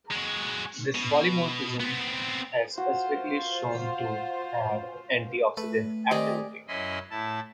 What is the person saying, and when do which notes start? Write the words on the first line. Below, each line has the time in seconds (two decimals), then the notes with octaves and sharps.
This polymorphism has specifically been shown to have antioxidant activity.
0.11 G#3 F#4
0.95 B2
1.80 B3 C4
2.78 F4 F#4 C5
5.57 A3 B4
6.11 D#3 C4 G4 D5 D#5 G#5
6.68 F#2 C#4 E4 D#5 B5 C6
7.11 A2 E4 A5